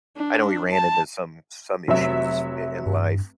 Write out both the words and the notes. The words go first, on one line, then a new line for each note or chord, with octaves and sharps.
I know he ran into some some issues i in life
D4
A5
F1 F#3 E5
G2